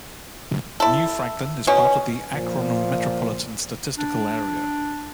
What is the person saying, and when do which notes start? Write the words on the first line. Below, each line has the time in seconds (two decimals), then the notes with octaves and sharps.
New Franklin is part of the Akron Metropolitan Statistical Area.
0.80 E4 A4
1.67 B2 C#4
2.34 A#2 F3
3.98 D4